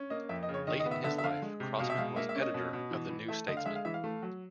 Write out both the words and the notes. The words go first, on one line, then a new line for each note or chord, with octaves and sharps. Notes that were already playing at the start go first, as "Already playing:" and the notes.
Late in his life, Crossman was editor of the "New Statesman".
Already playing: C#4
A#3 D#5
F2 E5
D#5
C#3
C#5
D#3 D#5
D#5
B3
E5
D3 E5
E5
D3 F5
G#3
C3
B2 F5
E5
G#3 F5
A#3 E5
E5
C#4
D#5
B2
B2
E3
E3
A3 E5
D3 D#5
F5
G#3 E5
F5
E3 E5
F5
A3
F#3